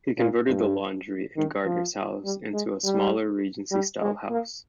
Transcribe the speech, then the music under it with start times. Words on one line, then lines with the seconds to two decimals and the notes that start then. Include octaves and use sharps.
He converted the laundry and gardener's house into a smaller Regency-style house.
0.18 A#2
0.48 G2
1.37 D#3
1.65 F3
2.24 G3
2.54 G#3
2.84 G3
3.71 G3
4.01 G#3
4.30 A#3